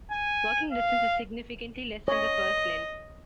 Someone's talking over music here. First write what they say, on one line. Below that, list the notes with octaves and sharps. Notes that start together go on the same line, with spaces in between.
Working distance is significantly less than the first lens.
G#5
F5
C#5 D#5